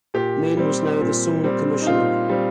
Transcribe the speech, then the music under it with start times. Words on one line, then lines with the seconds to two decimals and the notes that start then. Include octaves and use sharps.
Mayne was now the sole Commissioner.
0.14 A#2 G4
0.57 G3 C4
1.01 A#2
1.44 G3 C4
1.82 D#4
1.86 A#2 F4
2.29 G3 C4